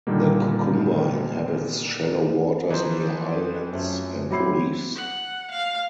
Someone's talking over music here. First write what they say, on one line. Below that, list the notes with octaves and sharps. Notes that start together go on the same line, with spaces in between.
The cucumber inhabits shallow waters near islands and reefs.
A#2 D3 D#3 G3 A#3
E3 F3 D#4 C5
F#2 A3 C4 C#4
F#3 C4 E4 G4 B5 C7
F#5
F5